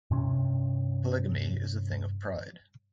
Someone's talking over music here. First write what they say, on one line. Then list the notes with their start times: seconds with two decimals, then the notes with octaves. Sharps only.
Polygamy is a thing of pride.
0.11 G2 C3 C#4